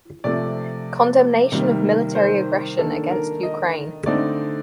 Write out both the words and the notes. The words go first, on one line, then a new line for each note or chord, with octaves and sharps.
Condemnation of military aggression against Ukraine.
C3 F3 A3 D5
C3 D#3 G3 A#3
C5
D#3 A#3 D4 A4
A#4
D#5
D3 A3 C4 D#4 D5